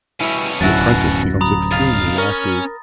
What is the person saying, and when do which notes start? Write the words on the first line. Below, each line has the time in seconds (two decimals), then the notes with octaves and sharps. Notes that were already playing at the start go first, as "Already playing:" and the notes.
The apprentice becomes extremely active.
0.20 B2 G3 C#4 E4
0.61 D1 F#2 F#3 E4 F#4 A6 A#6
1.41 A#5 B5 D#6
1.71 B1 C#3 F5 A6
2.18 C#4 A#4